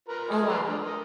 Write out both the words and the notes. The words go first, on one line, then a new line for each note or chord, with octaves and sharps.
Oh, wow.
F4 A#4 B4
F4 D#5 G#5
B4 D5 C6
D3 F4
A#4 D#5